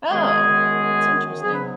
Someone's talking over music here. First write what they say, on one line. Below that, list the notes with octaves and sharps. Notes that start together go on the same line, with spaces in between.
Oh, that's interesting.
F#2 D#3 G#3 B3 G#4
G#2 F#3 B3 G#4
B4